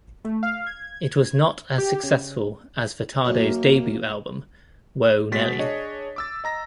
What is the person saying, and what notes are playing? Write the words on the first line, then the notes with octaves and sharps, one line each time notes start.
It was not as successful as Furtado's debut album, Whoa, Nelly!
A3
F5
G#6
G4
C#3
F#2 A#3
B2 G#3 D#5 A6 B6
D4 G#4 C#5 D#5
D6 E6 A6
D#5 A#5 A#6